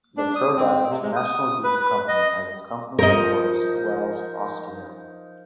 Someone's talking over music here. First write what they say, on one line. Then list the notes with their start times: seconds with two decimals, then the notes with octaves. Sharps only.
The Trodat international group of companies has its company headquarters in Wels, Austria.
0.17 D4
0.35 D#6
0.57 C4
0.89 C3
1.02 G#3
1.16 D#6
1.64 B4
1.80 B4
2.08 D#5
2.99 F3 D#4 A#4 D#5